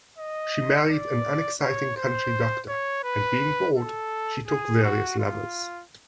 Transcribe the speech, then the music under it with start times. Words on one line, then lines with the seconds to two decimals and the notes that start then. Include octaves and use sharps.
She married an unexciting country doctor, and being bored, she took various lovers.
0.18 D#5
0.89 D5
1.61 C#5
1.97 C5
2.68 C#5
3.04 B4
3.76 A4
4.48 G#4
4.83 F#4
5.19 F4